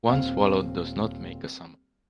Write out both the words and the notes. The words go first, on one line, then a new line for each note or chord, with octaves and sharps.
One swallow does not make a summer.
D#1 C4 F5